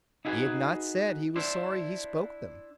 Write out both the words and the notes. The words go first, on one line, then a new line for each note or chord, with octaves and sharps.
He had not said he was sorry he spoke them.
D#4 E4 F#4 G#4 B4 G#5
D4 E4 C5